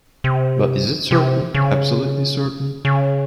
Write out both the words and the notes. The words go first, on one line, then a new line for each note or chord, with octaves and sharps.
But is it certain — absolutely certain?
C3
C3
C#3
C#3